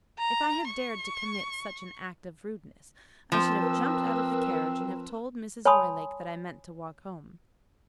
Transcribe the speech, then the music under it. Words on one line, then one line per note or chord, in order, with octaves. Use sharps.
If I had dared to commit such an act of rudeness, I should have jumped out of the carriage, and have told Mrs. Roylake that I meant to walk home.
A#5
C#6
F3 C4 A#4 B4 E6
C#5 G#5 A5 B5 C6 D#6